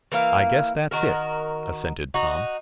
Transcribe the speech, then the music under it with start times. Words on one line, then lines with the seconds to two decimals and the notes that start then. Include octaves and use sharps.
"I guess that's it," assented Tom.
0.12 E3 A#3 C5 F5
0.91 D#3 F#4 A#4
2.14 D#4 F#4